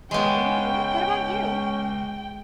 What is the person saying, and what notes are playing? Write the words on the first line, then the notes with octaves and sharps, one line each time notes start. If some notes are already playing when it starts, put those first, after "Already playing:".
Mhm. What about you?
C#2 G#3 B3 C#4 G5